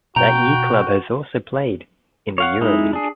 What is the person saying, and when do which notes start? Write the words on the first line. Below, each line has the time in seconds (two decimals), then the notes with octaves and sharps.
That year club has also played in the Euroleague.
0.16 B2 F#4 G5 A#5
2.38 C#5 F5 F#5
2.61 G#3 D#4 E4
2.93 D4 G#4